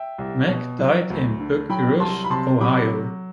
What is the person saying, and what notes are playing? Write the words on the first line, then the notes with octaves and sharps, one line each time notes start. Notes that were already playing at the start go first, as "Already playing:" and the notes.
Mack died in Bucyrus, Ohio.
Already playing: E5 G5
C2
B2
F#3
D2
D3
F#3 G5 B5
C2 A5 C6
B5
C3 A5 C6
F#3 B5 D6